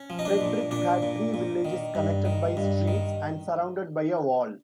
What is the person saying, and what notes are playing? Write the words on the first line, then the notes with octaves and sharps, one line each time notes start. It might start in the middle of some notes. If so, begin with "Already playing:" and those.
Frederick had three villages connected by streets and surrounded by a wall.
Already playing: C#4
F3
D#4
D4
A#2
A#2 D4
A#2
A#2
D#3
G2
D#3
G2
D#3